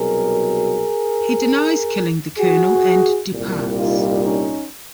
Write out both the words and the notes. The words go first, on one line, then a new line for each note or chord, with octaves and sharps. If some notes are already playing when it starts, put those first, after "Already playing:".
He denies killing the Colonel, and departs.
Already playing: C2 B2 F#3 G#4 A#4
F#4 G#4
C2 A#2 G3
D#4 F4
C#4 D#4